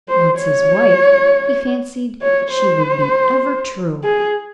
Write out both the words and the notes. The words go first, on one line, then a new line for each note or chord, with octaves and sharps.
Once his wife, he fancied she would be ever true.
C5
C#5
C#5
C5
G#4